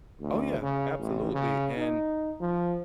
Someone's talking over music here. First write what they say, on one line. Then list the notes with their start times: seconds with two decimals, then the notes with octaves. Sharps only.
Oh, yeah. Absolutely, and,
0.21 D2
0.61 C#3
0.99 A1
1.33 C#3
1.77 D#4
2.41 F3